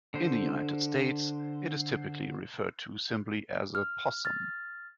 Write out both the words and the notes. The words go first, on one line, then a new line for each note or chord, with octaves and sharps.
In the United States, it is typically referred to simply as a possum.
D3 C5
F6
F6 A6